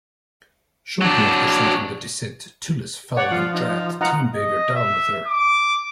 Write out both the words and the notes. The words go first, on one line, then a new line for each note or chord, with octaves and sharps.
Shortly after starting their descent, Tullis fell and dragged Diemberger down with her.
F#3 D4
C#5 D5 F#5
F3 F4
D#4
F3 D#4 F4 F#5 A#5
D#5
E5
D6